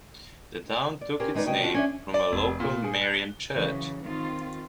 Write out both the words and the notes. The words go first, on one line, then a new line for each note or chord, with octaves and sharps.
The town took its name from a local Marian church.
D5
C#4 G4 G#4 A#4 C5
D#3 G#3 D#4 B4 D5
D2 C#3 F#4 D#5 G5
D3 F3 F#4
C#4 D4 E5
D5
F1
A#2
G#4
F#6
G7
C#3 E3 F#3
D#3 C4 F4